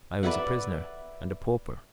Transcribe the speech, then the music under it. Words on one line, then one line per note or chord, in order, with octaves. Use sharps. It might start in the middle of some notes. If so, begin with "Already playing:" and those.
I was a prisoner and a pauper.
B4 D5 E5 F#5